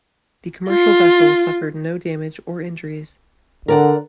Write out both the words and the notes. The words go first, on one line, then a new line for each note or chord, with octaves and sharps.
The commercial vessel suffered no damage or injuries.
F4
D3 A#4 D5 F#5